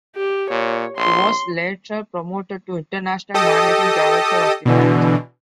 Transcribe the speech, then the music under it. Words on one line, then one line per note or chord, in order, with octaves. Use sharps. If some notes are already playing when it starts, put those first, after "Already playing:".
He was later promoted to international managing director of the bank.
G4
A#2 C#5
A#1 C6
G4 A4 D#5 D#6
B2 D3 E3